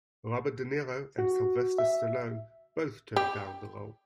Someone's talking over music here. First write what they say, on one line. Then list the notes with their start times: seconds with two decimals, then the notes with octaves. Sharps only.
Robert De Niro and Sylvester Stallone both turned down the role.
1.19 F#4
1.78 E5
3.16 G4